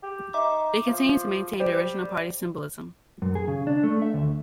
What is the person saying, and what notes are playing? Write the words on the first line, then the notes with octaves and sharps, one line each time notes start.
They continue to maintain the original party symbolism.
G4
D#4 E5 D6
F3
G3 C5
F#2
G#4
C#3
D4
A3
E5
D2